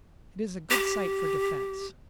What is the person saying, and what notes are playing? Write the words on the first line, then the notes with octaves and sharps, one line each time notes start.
It is a good site for defense.
G4